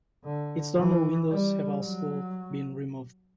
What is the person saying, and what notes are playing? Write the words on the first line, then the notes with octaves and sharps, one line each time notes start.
Its dormer windows have also been removed.
D3
E3
G3
F#3